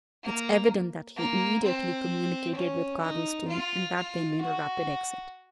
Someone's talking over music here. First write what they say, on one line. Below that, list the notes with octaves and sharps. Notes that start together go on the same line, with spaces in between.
It's evident that he immediately communicated with Cardlestone, and that they made a rapid exit.
A#3
A#3
C4
C#4
D#4
F4
F4
F#4